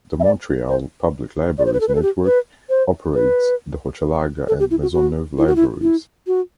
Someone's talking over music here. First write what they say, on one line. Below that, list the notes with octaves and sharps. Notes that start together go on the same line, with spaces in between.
The Montreal Public Libraries Network operates the Hochelaga and Maisonneuve libraries.
E5
D5
C5
D5
C5
B4
A4
B4
A4
G4
B4
C5
B4
A4
G4
E4
F#4
F#4
E4
F#4
E4
E4
F#4